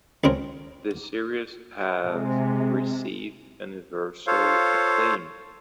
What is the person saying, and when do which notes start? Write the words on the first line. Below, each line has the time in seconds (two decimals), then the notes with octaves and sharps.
The series has received universal acclaim.
0.24 C#2 C#3 C4 A#4
2.05 C3 G#3
4.27 F4 A4 C5 C#5 F5